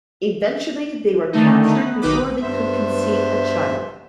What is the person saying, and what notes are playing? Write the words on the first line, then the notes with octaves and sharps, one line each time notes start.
Eventually they were captured before they could conceive a child.
D3 D#3 A3 D#4
B3
B1 D#3 D#4 B4 D6
G2 B3 C5 E5